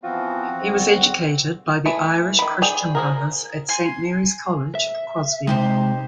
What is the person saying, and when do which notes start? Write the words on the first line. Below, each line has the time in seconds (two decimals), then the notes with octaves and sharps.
He was educated by the Irish Christian Brothers at Saint Mary's College, Crosby.
0.03 E3 F3 B3 C4 F4 F#4
0.61 E2 G#2 D3
1.86 E3 A3
2.39 D#3 B5
2.62 G#4 D5 G5
2.95 F3 G#4 A#4
3.69 G#5 C6
4.75 E5
5.47 C3 G#3 D#4 G4 C5